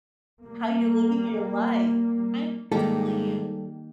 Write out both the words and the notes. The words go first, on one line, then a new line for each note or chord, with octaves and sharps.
how you're living your life. I'm telling you!
G3 A#3
G#2 D#3 G3 A#3 G4 A4